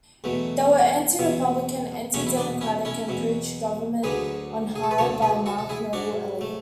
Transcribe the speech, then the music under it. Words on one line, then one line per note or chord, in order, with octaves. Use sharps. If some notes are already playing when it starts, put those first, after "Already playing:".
They were anti-Republican, anti-democratic, and preached "Government on High", by a marked noble elite.
E2 B2 F#3 A3
E2 B2 F#3
E2 B2 F#3 A3 C#4
E4
B3 D4
C#4 E4
C#4 E4
E2 B2 F#3
D2 D3 F#3 G#4 B4
G#4
A4
B4
D2 D3 F#3 A4 C#5
G#4 B4
F#4 A4
A4
E4 G#4
G#2 F#3 D4 F#4
A3